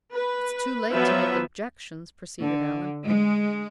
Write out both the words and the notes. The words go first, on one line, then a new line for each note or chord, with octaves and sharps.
"It's too late to make objections," proceeded Allan.
B4
F3 F#3 B3 B4 E5
D3
G#3